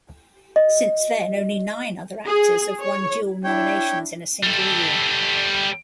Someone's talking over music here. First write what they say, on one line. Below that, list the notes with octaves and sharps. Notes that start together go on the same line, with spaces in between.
Since then, only nine other actors have won dual nominations in a single year.
D#5
G#4
C#5
D4 E4 C#5 G5
G3 A4